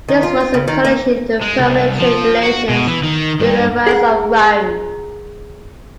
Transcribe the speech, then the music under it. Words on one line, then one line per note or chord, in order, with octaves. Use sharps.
This was a condition to permanent trade relations during the rise of Rome.
D#3
F4
F4
C#3
D#3
A#3
G#3
C2
F3
F#4
B2
E3
D#3
G2
G#4 A#4 F#5